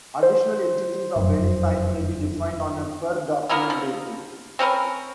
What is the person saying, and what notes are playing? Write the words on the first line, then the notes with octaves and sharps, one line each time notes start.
Additional entities of any size may be defined on a per-document basis.
C5
F1 F#2
E3 A#3 B3 A#4
F3
C4 C#4 A#4 B4